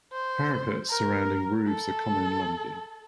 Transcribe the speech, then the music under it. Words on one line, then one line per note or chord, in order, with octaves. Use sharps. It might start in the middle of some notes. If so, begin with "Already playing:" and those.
Parapets surrounding roofs are common in London.
C5
A#4
A4